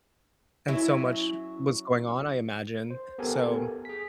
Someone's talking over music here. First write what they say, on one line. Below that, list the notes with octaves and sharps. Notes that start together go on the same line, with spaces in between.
and so much was going on, I imagine, so,
F#3 C#4 E4
C5
B3 G4 A4 A#4 G#5
G#4 B6